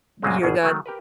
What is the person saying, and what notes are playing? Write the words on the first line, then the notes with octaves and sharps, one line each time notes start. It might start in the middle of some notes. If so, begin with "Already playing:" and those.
year, got
F#2 A#2 C#3 F#3 G#3 C4
G#1 B2 G#4
D#3 F#3 A3
G4 A#4 B4